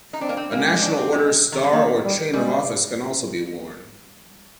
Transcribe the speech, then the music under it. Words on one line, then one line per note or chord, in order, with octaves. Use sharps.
A national order's star or chain of office can also be worn.
D#4
C4 D4
A#3
C4
G#3 A#3
C4
D4
C4
G#3
D#3
D3
D#3 A#3
G3
G3 G#3